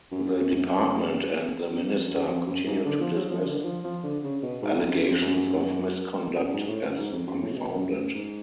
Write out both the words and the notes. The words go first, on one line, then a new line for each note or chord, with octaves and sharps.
The Department, and the Minister, continued to dismiss allegations of misconduct as unfounded.
F#2
F#2
F#2
F2
F#2
F2
F#2
G#2
D3
F3
F#3
F3
D3
D3
F3
F3
D3
C#3
B2
G#2
F#2
F2
F#2
F2
F#2
F#2
G#2
A2
F#2
G#2
F2
F#2
A2
C#3
B2
F#2
F#2
G#2